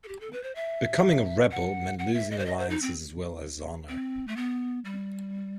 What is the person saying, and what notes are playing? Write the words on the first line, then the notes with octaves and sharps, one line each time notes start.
Becoming a "rebel" meant losing alliances as well as honor.
A4
G4
A4
B4
C5
E5
F#5
F#5
E5
D#5
C5
D#5
C5
D#4
C4
C4
A3
B3
G3